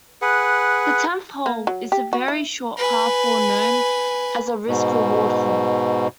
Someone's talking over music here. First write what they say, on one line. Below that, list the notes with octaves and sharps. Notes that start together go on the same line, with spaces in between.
The tenth hole is a very short par four known as a risk-reward hole.
G#4 B4 F#5
A#3
F#3
G4
F#4
E4
B4 G#5
G#2 B2